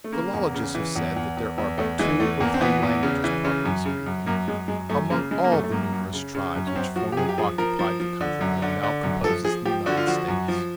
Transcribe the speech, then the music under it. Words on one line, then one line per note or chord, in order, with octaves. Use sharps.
Philologists have said that there are but two or three languages, properly speaking, among all the numerous tribes which formerly occupied the country that now composes the United States.
A3
C#3 A#3
E2
C#3
E3
E2
E2
E2
E2
E2 A3
E3 G#3
E2 A3
E2 A#3
C4
E3 B3
E2
C#3
E3
C#3
F#2
C#3
F#2
F#2 A#3
F#2 G#3
F#2 G#3
F#2 A3
C#3 A#3
C#3 G#3
A#3
F#2 A3
A3
F#2 A#3
F#2
C#3
C#3
F#2
C#4
F#2 C4
F3 F#4
G4
F#2 G#4
G4
F3 G#4
F3 A#4
F3
F3
D3
F#2
D3
D3
F#2
F3 A4
F3 G#4
F3 G4
D3 F#4
F4
F3 F#4
F#2
F3